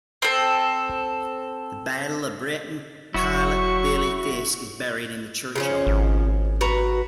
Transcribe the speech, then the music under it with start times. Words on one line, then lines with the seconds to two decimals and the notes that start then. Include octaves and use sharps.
The Battle of Britain Pilot Billy Fiske is buried in the churchyard.
0.22 C4 A4
3.14 F1 F#3 E4 F#4 C#6
5.56 C#3 F3 C#4
5.87 G#1
6.61 F#4 B4 A#5